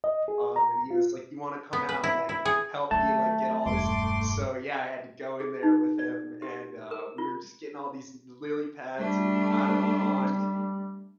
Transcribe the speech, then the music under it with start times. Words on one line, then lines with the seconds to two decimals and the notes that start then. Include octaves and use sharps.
Um, and he was like, "You wanna come out and, like, help me, like, get all this" so, yeah, I had to go in there with him, and, uh, we were just getting all these l lily pads and out of the pond,
0.04 D#5
0.28 G#4
0.56 A#5
0.91 F4
1.73 B3
1.89 B4
2.04 E4
2.29 E4
2.45 G#4
2.91 D#3 F#3 A3 A5
3.66 E1 G2 C6 D6
5.40 G#4
5.63 D#4
5.99 D5
6.42 G4
6.91 A#4
7.18 F4
8.97 G3 A3 D4